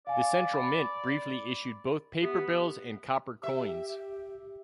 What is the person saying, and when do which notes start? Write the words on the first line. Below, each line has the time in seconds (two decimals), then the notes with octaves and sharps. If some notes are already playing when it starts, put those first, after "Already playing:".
The Central Mint briefly issued both paper bills and copper coins.
0.07 D5 F5 G#5
0.53 B5
2.22 B3 G4 E5
3.43 G4 E5